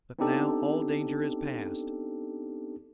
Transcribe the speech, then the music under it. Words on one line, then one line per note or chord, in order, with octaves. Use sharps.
But now all danger is past.
B3 C4 D4 D#4 G4 A4